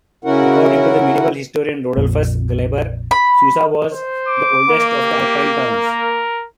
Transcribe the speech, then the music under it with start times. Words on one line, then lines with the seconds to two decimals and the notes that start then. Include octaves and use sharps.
According to the medieval historian Rodulfus Glaber, Susa was "the oldest of Alpine towns".
0.25 C#3 C#4 E4 F#4 A#4 F#5
1.97 A#1 F2 A#2
3.11 B5
3.93 C5
4.28 D6
4.70 A#3
5.02 G4
5.71 A#4